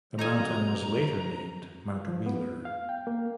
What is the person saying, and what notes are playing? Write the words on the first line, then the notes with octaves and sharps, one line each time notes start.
The mountain was later named Mount Wheeler.
D#4 A4 G#5 A#5
F2 C3 F#3
F3
B3
F5
G5
A#3